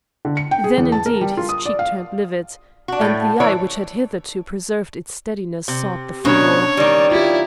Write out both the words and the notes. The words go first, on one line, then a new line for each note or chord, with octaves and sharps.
Then indeed his cheek turned livid, and the eye which had hitherto preserved its steadiness sought the floor.
D3
C#7
G5
G#4
E2
A5
A#4
G3
F4
D#6
D5
F5
D4 F#4
A2 A3
E3 C#5 D5
C3
B2 D#3 C#4 D4 C#5
D#3 G3 D5
E4 F4 G4